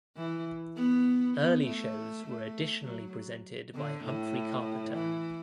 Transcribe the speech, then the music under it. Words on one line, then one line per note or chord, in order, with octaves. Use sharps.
Early shows were additionally presented by Humphrey Carpenter.
E3
B3
B3
A3
A3
F#3
D3
A2
E3